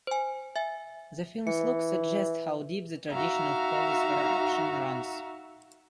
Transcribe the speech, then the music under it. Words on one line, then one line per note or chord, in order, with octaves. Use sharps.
The film's look suggests how deep the tradition of police corruption runs.
C5 G#5
E5 G#5
E3 C#7
D#4 F#4 E5 F5 A#5